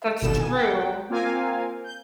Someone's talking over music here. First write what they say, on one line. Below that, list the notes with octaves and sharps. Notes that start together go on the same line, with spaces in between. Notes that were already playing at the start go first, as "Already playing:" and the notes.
That's true,
G1 C2 B2 D#3 A4 E7
G#5
F#5 G5
A#3 C4 F4 A#4 F5 G#5
G6